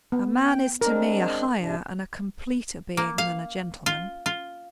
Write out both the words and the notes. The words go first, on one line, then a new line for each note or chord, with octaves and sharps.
A man is to me a higher and a completer being than a gentleman.'
B3
G5
G#3 C4 D4 A#4
G#2 C3 D4
A#3
F5
F4
F4